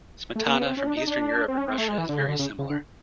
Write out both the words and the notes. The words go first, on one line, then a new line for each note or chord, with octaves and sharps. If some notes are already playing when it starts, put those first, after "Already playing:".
"Smetana" from Eastern Europe and Russia is very similar.
A3
A#3
B3
C4
C#4
D4
D#4
D4
C4
C#4
C4
A3
G#3
E3
D3
C#3
D3
C#3
C#3
D3